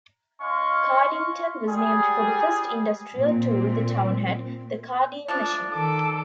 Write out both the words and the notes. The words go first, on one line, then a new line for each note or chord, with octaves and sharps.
Cardington was named for the first industrial tool the town had, the carding machine.
C#4 D#5 F5 C6 C#6
G3 G#4
A#2 C4
F3 A3 D4
D#3 A4 D6